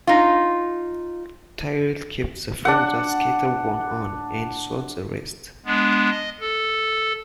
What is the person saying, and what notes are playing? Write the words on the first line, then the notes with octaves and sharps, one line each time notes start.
Tyrrell kept the frame that Scheckter won on, and sold the rest.
D#4 F4
D4 F#5
G#3 B3 D4
D#5
A4